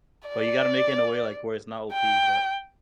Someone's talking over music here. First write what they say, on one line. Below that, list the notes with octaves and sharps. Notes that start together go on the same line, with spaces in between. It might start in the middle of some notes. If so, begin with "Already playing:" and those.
But you gotta make it in a way, like, where it's not OP, but
D5
G5